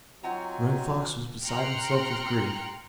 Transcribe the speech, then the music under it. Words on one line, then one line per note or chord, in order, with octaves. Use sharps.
Running Fox was beside himself with grief.
F#3 C4 D#4 F4 F#4 F#5 G#5 A#5
G5 A#5 C6 F6 F#6 C#7